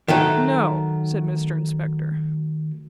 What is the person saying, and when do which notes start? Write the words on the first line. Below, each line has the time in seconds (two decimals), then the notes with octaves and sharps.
'No,' said Mr Inspector.
0.08 D#3 F#3 A3